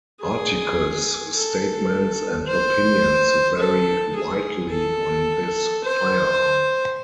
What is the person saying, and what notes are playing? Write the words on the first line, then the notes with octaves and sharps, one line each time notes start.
Articles, statements, and opinions vary widely on this firearm.
G#4
A4
C5
A4
G#4
A4
C5